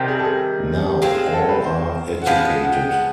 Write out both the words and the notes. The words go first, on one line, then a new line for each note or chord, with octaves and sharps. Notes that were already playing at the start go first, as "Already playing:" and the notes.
Now all are educated.
Already playing: C3 D#3 G3
G#4
A4
G#4
G#3 C4 F4 G4
G#4
A4
B4
C5
F#5
F3 G#3 B3 F5
F#5
G5
F#5